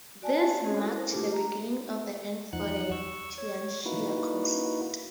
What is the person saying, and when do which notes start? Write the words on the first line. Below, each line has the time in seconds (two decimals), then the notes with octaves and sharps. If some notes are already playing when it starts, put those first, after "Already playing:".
This marked the beginning of the end for the "tianxia" concept.
0.22 F#4 D5 G#5 A5
0.63 C4 C#4 G#4 C#5 D#5
0.76 E4 F#4 A4
0.94 A#4 C5
1.12 A3 D4 F4 G4
1.33 A#5
2.53 E2 F3 D#4 F#5 F#6
2.92 C#6 E6
3.38 C#5
3.86 A#3 D#4 E4 F#4 B4